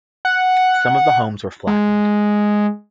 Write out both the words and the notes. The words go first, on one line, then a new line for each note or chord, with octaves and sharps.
Some of the homes were flattened.
F#5
G#3